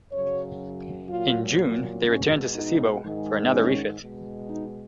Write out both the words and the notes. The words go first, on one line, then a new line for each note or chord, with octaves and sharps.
In June, they returned to Sasebo for another refit.
F#2 C#3 F#3 C#5
A#2 F#3 F4
B2 G#3 C#4
D#4
G#2 D#3 G#3
C#4
B2 G#3
D#4